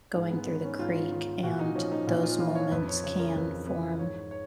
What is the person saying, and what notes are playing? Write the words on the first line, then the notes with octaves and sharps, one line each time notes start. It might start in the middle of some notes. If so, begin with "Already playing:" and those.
going through the creek, and those moments can form
G#2 G#3
B3
D#3 B3
C#4
G#2 F4
D#3
A#2 F#4
D#4
F3 C#4
D#4
A#2
F4
F3 F4
C#5
F2 B4
C#5
C#3 F3 C#5
A#4
F2 B4
C#3 F3 B4
G#2 C#5
C#5